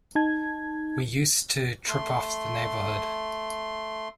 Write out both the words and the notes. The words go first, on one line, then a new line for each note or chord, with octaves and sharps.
We used to trip off the neighborhood.
D#4 A5 G#6
A3 C6